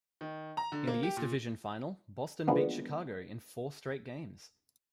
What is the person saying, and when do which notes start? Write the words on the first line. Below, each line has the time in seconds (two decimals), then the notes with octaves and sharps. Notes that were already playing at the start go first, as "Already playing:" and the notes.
In the East Division final, Boston beat Chicago in four straight games.
0.21 D#3
0.57 A#5
0.72 D3
0.88 A#3
1.03 G4
1.17 A#2
2.47 E3 F3 G#3 A#3 B3 D4